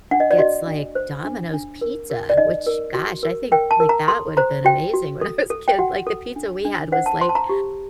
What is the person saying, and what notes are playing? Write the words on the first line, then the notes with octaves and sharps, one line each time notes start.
gets like Domino's pizza, which, gosh, I think like that would've been amazing when I was a kid. Like, the pizza we had was like
D4 F#5
D#5
D5
F#4 D#5
D4
C5
D4
D4
A#4
A#4
D5
D#4 D#5
A#4
F#4
A#4
A#4 G5
A5
A#4
A#5
A4 C6
C5 A#5
F#4 G5
F#4
A4
A4
G5
F#4 F#5
A4
D4
D4
C5 F#5
A5
C5 C6
A5
A#5
G4